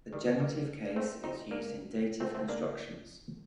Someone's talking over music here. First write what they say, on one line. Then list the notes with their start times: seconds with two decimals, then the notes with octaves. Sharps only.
The genitive case is used in dative constructions.
0.13 D#3 G3
0.40 G3 A#3
0.96 A3 C4
1.24 C4 D#4
1.51 A#3 D4
2.20 A3 C4
2.35 A3 C4
2.48 A#3 D4